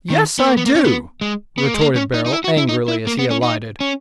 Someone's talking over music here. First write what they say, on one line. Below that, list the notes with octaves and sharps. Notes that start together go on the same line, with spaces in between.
"Yes, I do," retorted Beryl, angrily, as he alighted.
D#3
B3
A#3
B3
A#3
C#4
B3
G#3
B3
A#3
G#3
A#3
C#4
D#4
D#4
E4
F#4
E4
D#4
E4
A#3
B3
C#4
D#4
C#4